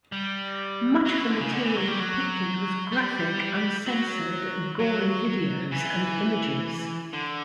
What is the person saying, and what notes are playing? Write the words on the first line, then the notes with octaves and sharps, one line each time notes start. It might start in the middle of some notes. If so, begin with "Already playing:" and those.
Much of the material depicted was graphic, uncensored, gory videos and images.
G3
F#3
E3
D3
C#3
D3
E3
F#3
G3
F#3
G3
F#3
F#3
E3
D3